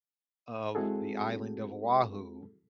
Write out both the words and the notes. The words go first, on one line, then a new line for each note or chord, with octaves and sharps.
of the island of Oahu
G#3 C4 E4 F#4 G#4 A4